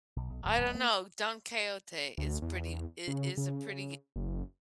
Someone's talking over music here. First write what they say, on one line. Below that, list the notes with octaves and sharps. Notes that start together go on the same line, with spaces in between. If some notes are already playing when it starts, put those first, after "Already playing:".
I don't know. Don Quixote is pretty it is a pretty g
B1
B1
D1
D1
A#3
D2
E2
C#3
C#3
F#1